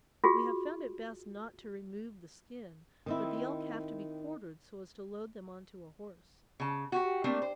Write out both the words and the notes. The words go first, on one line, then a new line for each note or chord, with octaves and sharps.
We have found it best not to remove the skin, but the elk have to be quartered so as to load them on to a horse.
F4 F#4 G#4
D#3 C4 E4
C#3 A5
F#4 G4
A3 A#3 C4 D4
C5